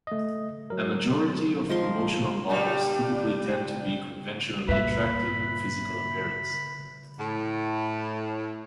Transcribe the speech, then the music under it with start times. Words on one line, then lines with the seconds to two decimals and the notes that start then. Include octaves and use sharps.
A majority of promotional models typically tend to be conventionally attractive in physical appearance.
0.07 A3 D#5
0.70 F#3 A#4
1.69 F3 G#3 A#4 C6
2.49 G2 A#2 G3
4.69 G2 A#2 B4 E5 B5
7.18 A2